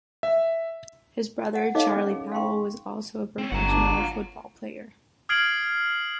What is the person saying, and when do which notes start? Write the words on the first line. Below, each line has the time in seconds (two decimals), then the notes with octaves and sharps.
His brother, Charlie Powell was also a professional football player.
0.23 E5
1.55 F#5
1.75 D#4 A4 C#5 D#5 F5 D6
1.96 C#4
2.11 G#4
2.32 F5 G5 C6 C#6
3.38 C4 C#4
3.52 G1 F#5 A#5
3.68 D4
3.98 F4
5.29 D#6 F6 G#6 C7 D7 F#7